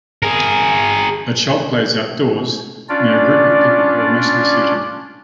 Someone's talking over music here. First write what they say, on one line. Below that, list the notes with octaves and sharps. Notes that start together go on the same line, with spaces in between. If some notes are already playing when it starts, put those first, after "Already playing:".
A child plays outdoors, near a group of people who are mostly seated.
G#4 A#4
C#4 D4 F4 D5